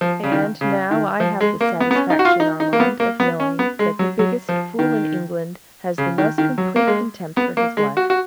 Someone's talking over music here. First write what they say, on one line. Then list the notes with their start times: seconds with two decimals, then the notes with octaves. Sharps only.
"And now I have the satisfaction, Armand, of knowing that the biggest fool in England has the most complete contempt for his wife."
0.01 F3
0.23 C#3
0.32 D#3
0.61 C#3
0.91 D#3
1.20 F3
1.41 G#3
1.61 A#3
1.80 B3
1.91 B3
1.95 C#4
2.10 D#4
2.19 F#4
2.25 F4
2.40 D#4
2.60 D#4
2.73 A#3
2.80 B3
3.00 A#3
3.20 B3
3.40 C#4
3.59 B3
3.79 G#3
3.99 F#3
4.19 F#3
4.49 F3
4.79 D#3
5.98 C#3
6.18 D#3
6.38 D#3
6.58 F#3
6.76 A#3
6.87 G#3
7.37 B3
7.57 A#3
7.77 G#3
7.97 F#4
8.10 F#4